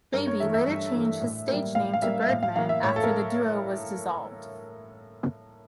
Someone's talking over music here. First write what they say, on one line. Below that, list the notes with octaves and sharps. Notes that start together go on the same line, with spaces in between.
Baby later changed his stage name to Birdman after the duo was dissolved.
G2 A#4
C#5
E3 A3 E5
E5
G2
E3 A3
A2
G3 A#3
A2 F5
F5
G3 A#3 E5
E5
A2 F5
F5
E3 A#3 F5
E5
A2 C#5
A4
A#4